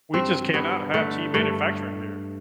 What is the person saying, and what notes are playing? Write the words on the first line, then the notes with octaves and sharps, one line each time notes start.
We just cannot have cheap manufacturing here.
G2 C4
G2 B3
D3 A3
G2 A3